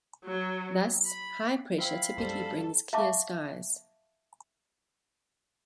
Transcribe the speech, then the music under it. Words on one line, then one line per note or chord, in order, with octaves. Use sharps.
Thus, high pressure typically brings clear skies.
F#3
B5
F3 C4 E4 F5 B5
F#2 G3 A4 C5
E5 F5 A5 C#6 D6